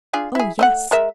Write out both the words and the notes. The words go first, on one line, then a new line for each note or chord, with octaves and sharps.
"Oh, yes."
D4 F4 G#4
E4 G#4
A3 D#5 F#5
G#3 A#4 E5